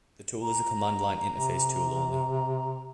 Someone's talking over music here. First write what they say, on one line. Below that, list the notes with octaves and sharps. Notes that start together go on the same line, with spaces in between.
The tool is a Command Line Interface tool only.
A#5
C3